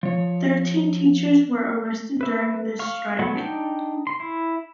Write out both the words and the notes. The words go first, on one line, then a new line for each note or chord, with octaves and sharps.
Thirteen teachers were arrested during this strike.
F3 C#5
B4 E5
F5 C#6
F#3 A3 B3 F#5
D4 D#4 G5
C6
E4